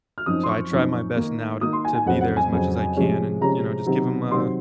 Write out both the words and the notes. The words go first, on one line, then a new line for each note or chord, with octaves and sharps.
So, I try my best now to to be there as much as I can and, you know, just give him a
F6
F#2 F3 C4 D#4 D#6
C6
C#6
F#2 F3 C4 D#4
D#3 A#3 D#4
D#3 A#3 D#4 D#6
C6
G#5
G#5
F2 C#3 F#3 C4 F#5
F#5
G#5
F2 C#3 F#3 C4
C3 F3 G#3 C#4
C3 F3 G#3 C#4 A#5
C3 D#3 F#3 C4
C3 D#3 F#3 C4 C6